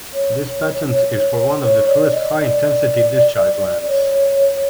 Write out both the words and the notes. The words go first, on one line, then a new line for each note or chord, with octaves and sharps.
This patent is for one of the first high-intensity discharge lamps.
C#5
C#5
D5
D#5
D5
C#5